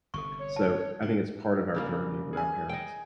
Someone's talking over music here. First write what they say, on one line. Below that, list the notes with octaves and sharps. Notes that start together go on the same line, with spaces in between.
So I think it's part of our journey with our parents,
G1 C3 A4 C#6
C#5
A5
C#3 D4
C#3 G3 A#3
G#4 G#5
D#5 G5